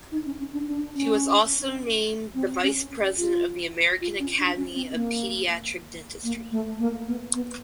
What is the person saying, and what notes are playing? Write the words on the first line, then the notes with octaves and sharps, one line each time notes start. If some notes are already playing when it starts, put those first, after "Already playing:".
She was also named the vice president of the American Academy of Pediatric Dentistry.
D#4
C#4
C#4
D4
D4
C#4
C4
C#4
F4
F4
C#4
D4
C#4
C4
A#3
A#3
A3
A#3
B3
B3